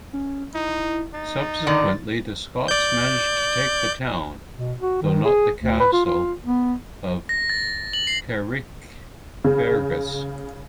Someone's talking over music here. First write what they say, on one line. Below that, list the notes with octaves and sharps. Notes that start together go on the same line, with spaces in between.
Subsequently, the Scots managed to take the town, though not the castle, of Carrickfergus.
C#4
D#4 E4
D#4 A6
D3 D#3 D5
D5 G6
B2
F#4
D#3
G#4
D2
B4
F4
F4
B3
A#6
A6
F#7
C7
C#3